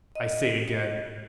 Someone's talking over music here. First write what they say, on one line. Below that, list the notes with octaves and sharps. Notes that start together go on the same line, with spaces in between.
I say again.
D#5